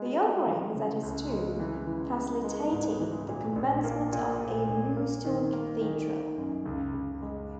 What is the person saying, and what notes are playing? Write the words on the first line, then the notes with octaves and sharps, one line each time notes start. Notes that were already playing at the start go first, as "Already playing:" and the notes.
The offerings at his tomb facilitated the commencement of a new stone cathedral.
Already playing: G#3
G#3
E3
C#3
C#2
G#3
E3
E3
B3
G#3
G#2
E3
A#2
A#1
A#3
A#2
A#2
A#1
A#3
D#3
A#3
D#3
D#3
F#2
C#2
C#2
G#3